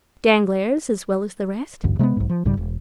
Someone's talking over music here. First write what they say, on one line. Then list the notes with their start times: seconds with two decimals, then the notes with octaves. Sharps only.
"Danglars, as well as the rest?"
1.83 A1 D2 G2
1.99 C3 G#3 A3 B3
2.17 B1 G#2
2.29 F3
2.45 B1 G#2 C#3 G3
2.57 E1